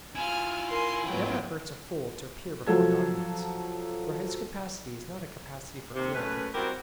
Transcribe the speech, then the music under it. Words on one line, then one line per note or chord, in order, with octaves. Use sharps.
It never hurts a fool to appear before an audience, for his capacity is not a capacity for feeling.
E4 F4 G#5 F6
A#4 G#5 C6
G#2 F#3 B3 G5
F3 F#3 A4 G#6
D#2 C3
F#2 A3 C#4 B4
G3 C4 E4 F#4 G4 A#4